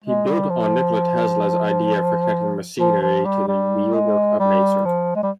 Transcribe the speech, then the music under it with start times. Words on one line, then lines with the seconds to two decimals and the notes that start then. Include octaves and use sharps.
He built on Nikola Tesla's idea for connecting machinery to the "wheelwork of nature".
0.04 G#3
0.27 G3
0.50 F3
2.79 F3
3.02 F3
3.25 G3
3.48 G3
3.94 G#3
4.40 G3
4.85 F3
5.15 G#3
5.23 G3